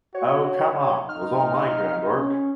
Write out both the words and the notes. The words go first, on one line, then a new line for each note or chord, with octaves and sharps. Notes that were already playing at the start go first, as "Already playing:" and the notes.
Oh, come on, that was all my groundwork.
F#4 C#5
D#4 F6
C#4